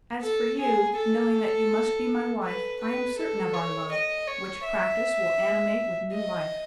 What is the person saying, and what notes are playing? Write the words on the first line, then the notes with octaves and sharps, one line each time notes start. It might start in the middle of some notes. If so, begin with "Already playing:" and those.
As for you, knowing that you must be my wife, I am certain of our love, which practice will animate with new life.
A4
G#4
A4
B4
B4
A4
C#5
D#5
C#5
E5
D#5